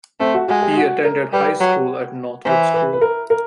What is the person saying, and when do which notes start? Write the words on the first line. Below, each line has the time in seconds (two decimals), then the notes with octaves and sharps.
He attended high school at Northwood School.
0.20 A3 C4
0.34 F#4
0.48 G#3 F#4
0.62 G4
0.77 F#4
1.04 A#4
1.33 G3 B4
1.61 F#3
2.45 E3 C5
2.74 B4
2.93 B4
3.01 A#4
3.30 A#4